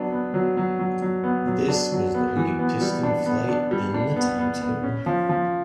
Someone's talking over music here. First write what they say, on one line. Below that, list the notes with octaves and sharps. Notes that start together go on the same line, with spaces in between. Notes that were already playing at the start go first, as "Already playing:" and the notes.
This was the only piston flight in the timetable.
Already playing: F#3 B3 D4
B3
F#3
F#3
F#3
F#3
B3
F#3
D4
F#3
B3
E3
B3
G3
D4
B3
D4
G3
D4
B3
B3
B3
C#4
F3
F3